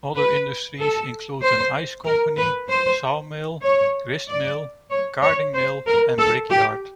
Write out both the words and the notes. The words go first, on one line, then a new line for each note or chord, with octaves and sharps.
Other industries included an ice company, sawmill, gristmill, carding mill and brickyard.
B4
A4
C5
A#4
B4
C5
C#5
D5
C#5
C#5
C5
A#4
A4
G4